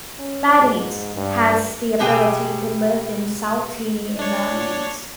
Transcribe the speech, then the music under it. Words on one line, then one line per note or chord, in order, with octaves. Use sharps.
"Batis" has the ability to live in salty environments.
C#4
G#2
G2
B2 G4 G#4 G5 G#5
D4 C#5